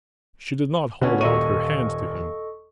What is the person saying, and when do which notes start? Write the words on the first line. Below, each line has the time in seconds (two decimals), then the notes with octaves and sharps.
She did not hold out her hand to him.
1.01 D3 B3 C#4 F#4
1.21 D#1 A#2 A4 D#5 C#6 D#7